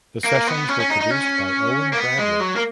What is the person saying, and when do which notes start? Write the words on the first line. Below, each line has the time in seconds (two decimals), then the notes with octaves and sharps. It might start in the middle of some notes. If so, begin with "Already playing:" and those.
The sessions were produced by Owen Bradley.
0.24 A#3
0.47 B3
0.69 C#4
0.80 C#4
0.90 D#4
1.01 D#4
1.11 C#4
1.93 A#3
1.97 B3
2.19 G#3
2.40 F#3
2.56 A#3